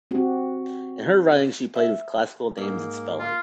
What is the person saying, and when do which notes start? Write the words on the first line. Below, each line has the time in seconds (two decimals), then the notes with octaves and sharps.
In her writings she played with classical names and spelling.
0.11 C4 F#4 G4
1.75 E5
2.58 G#2 A#3
3.19 F4